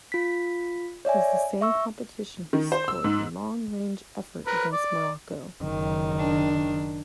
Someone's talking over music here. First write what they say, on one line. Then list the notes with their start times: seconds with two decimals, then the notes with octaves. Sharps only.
In the same competition, he scored a long range effort against Morocco.
0.12 F4 B6
1.05 C#5 D5 E5 G#5
1.61 E5 C#6 E6
2.53 D#3
2.72 C5
2.88 E6
3.04 G#2
4.47 A#4 B4 B5
4.73 D5
5.63 F#1 D#3
6.18 D4